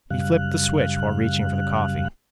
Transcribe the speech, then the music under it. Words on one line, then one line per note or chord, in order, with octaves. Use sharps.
He flipped the switch while reaching for the coffee.
F#2 C#3 G3 F5 F#6